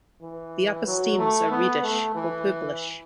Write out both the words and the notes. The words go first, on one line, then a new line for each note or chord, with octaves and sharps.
The upper stems are reddish or purplish.
E3
F#3
A3
B3
A3
E3